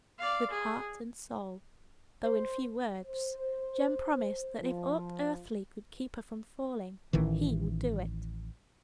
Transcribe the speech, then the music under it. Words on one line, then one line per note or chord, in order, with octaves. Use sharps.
With heart and soul, though in few words, Jem promised that if aught earthly could keep her from falling, he would do it.
D5 F5
G#4
C5
C5
F3
A1 D#3 E3